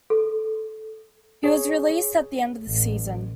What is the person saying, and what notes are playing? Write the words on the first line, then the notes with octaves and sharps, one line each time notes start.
He was released at the end of the season.
A4
G#4 C#5
A1